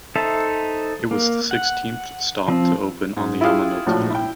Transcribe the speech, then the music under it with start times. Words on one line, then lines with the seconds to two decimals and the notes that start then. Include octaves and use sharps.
It was the sixteenth stop to open on the Yamanote Line.
0.16 D#4 A4 C5 E5
1.11 A#3
1.51 F#5
2.48 F3 C4
3.17 G#2
3.41 E4 F4 G4 G#4 F5
3.86 A#1 A2 F3 F#3
4.10 E4 G5